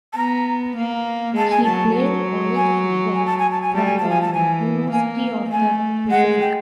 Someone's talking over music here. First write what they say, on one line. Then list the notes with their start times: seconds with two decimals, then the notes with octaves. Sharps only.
He played college football from the University of the Pacific.
0.12 A5
0.17 B3 A#5
0.77 A#3
1.36 G#3 A5
1.50 G#5
1.63 F#3 A5
1.95 F#3
2.55 G#5
3.14 G#5
3.25 A5
3.38 G#5
3.50 A5
3.61 G#5
3.74 G3 A5
3.85 G#5
3.97 A5
4.03 F3
4.09 G#5
4.21 A5
4.32 E3 G#5
4.92 A#3 G#5
5.50 A3 G#5
6.10 G#3 F#5
6.40 G5